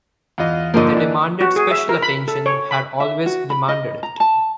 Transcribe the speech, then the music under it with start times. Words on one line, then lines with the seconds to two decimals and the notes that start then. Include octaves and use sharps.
They demanded special attention, had always demanded it.
0.38 E2 F4 D#5
0.74 G#2 D3 F3 A#3 D#5
0.93 E3 D4
1.41 F#4
1.56 G#4
1.71 E5
1.89 A#4
2.02 B5
2.28 A4
2.46 C#5
2.71 B5
3.00 E5
3.26 F#4
3.50 B5
3.68 D#5
4.03 A#5
4.20 A5